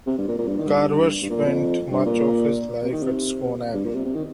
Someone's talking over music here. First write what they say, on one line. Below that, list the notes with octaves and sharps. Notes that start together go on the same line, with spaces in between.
Carver spent much of his life at Scone Abbey.
C3
G2
A#2
A#2
G2
D#3
G2
G2
A#2
F2
G2
A#2
C3
D#3
C3
G2
A#2
C3
C3
D#3